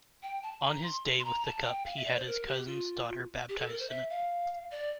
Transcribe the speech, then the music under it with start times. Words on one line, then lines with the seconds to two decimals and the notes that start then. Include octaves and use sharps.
On his day with the Cup, he had his cousin's daughter baptized in it.
0.23 G5
0.43 A5
0.63 A#5
0.84 C6
1.19 C6
1.25 A#5
1.45 A5
1.65 G5
1.85 F5
1.96 E5
2.06 D5
2.16 C5
2.27 A#4
2.47 G4
2.67 F4
3.49 G4
3.59 A4
3.69 A#4
3.79 C5
3.90 E5
4.10 F5
4.71 D5